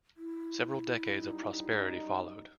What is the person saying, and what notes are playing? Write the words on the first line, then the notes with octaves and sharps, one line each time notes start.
Several decades of prosperity followed.
E4
F#2 G3 D#4